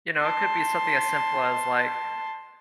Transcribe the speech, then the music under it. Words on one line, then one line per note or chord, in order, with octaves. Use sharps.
you know, it could be something as simple as like
A5 C6